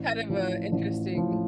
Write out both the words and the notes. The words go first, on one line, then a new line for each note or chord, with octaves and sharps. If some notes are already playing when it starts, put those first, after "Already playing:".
kind of a interesting
Already playing: A1
A2 F3
A1
A2 F3